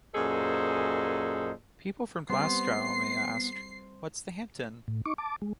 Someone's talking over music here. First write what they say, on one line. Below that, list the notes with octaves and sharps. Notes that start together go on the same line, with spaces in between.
People from Glasgow may ask, What's the Hampden?
F#2 A#2 G#4 A4 C5 D#5
G3 B3 C4 C5 C7
A2
D#4 C#6 D6
A5 D6
G#3